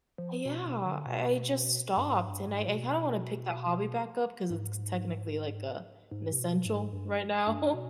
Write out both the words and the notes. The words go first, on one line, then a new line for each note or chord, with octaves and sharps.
yeah, I I just stopped, and I I kind of want to pick that hobby back up 'cause it's c technically like a an essential right now.
F3
B2
B2
D3
B2
G2
G#2
G2
G#2
B2
G#2
G#2
C3
B2
G#2
G2
G2
B2